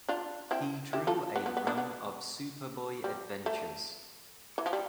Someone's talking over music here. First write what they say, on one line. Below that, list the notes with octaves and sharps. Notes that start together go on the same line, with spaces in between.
He drew a run of Superboy adventures.
D4 F4
C4 E4
E4 G4
F4 A4
B3
B3
B3
B3 D4
B3
G3
A3
E3
F3
G3